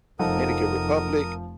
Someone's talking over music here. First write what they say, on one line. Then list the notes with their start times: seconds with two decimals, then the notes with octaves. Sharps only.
Dominican Republic,
0.19 F1 F3 D#4 A4 A#4 F#5 D#6